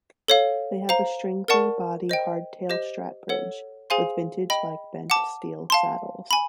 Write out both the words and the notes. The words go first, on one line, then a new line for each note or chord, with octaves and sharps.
They have a string-through-body hardtail 'Strat' bridge, with vintage-like bent-steel saddles.
A4 C#5 F5
C5 F5 A#5
A#4 D5 F#5 A5 C#6
C5 D#5 G5
G4 C5 D#5
A4 C#5 F#5
G#4 C5 F5 G#5 C6
D#5 G5 B5
F#5 A5 D6
F5 A5 C6
G#5 B5